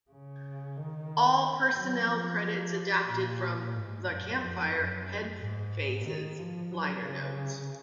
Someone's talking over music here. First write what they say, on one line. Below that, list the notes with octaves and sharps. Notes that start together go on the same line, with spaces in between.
All personnel credits adapted from "The Campfire Headphase"s liner notes.
C#3
D#3
F#3
F3
A#2
G#2
F#2
F2
F#2
G#2
D#3
F3
F#3
C#3